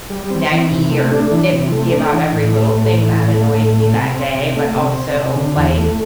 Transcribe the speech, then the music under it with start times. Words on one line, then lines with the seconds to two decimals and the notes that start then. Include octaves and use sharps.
naggy or nitpicky about every little thing that annoys me that day, but also, like,
0.10 G3
0.30 C4
0.51 E3
0.72 C3
0.91 A3
1.12 D4
1.32 E3
1.52 C3
1.72 A3
1.92 D4
2.13 E3
2.33 A2
2.52 A3
2.73 A2
2.93 E3
3.13 A2
3.33 A3
3.53 A2
3.74 A3
3.94 C3
4.14 C4
4.35 C3
4.55 A3
4.75 C3
4.96 C4
5.16 C3
5.35 D3
5.57 E2
5.77 A3